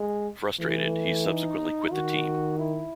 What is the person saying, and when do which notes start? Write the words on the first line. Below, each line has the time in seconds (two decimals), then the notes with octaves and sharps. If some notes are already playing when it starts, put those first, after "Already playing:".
Frustrated, he subsequently quit the team.
Already playing: G#3
0.60 E3 A3
1.26 D#4
1.92 D#3 F#4
2.59 E4